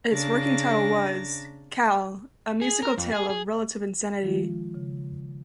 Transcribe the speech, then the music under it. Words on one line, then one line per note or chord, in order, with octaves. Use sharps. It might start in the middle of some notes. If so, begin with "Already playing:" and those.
Its working title was "Cal: A Musical Tale of Relative Insanity".
C#3 D4 A5 A#5 A#6
G#4
A#4
F2
G#4
G#4
D#3 F3 G#3 F4
C#3